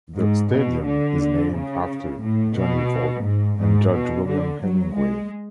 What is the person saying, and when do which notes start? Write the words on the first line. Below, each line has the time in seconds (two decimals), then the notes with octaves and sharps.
The stadium is named after Johnny Vaught and Judge William Hemingway.
0.16 G#2
0.51 B2
0.85 D3
1.54 C#3
2.22 A2
2.57 B2
3.25 G#2
3.59 G#2
3.93 B2
4.27 D3
4.62 F#3
4.96 G#3